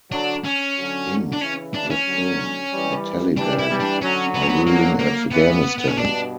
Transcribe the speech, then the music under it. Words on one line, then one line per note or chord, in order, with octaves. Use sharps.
In the film, the Taliban are ruling Afghanistan.
D3 F#3 D4
C#4
D3 F#3
D4
C#3 E3 C#4
D4
C#4
D3 F#3
E3 G3
E3 G3 D4
E4
E3 G3
D4
D3 F#3 C#4
B3
C#4
B3
A#3
A#3
C#3 E3 B3
B3
C#4
G2 B2 D4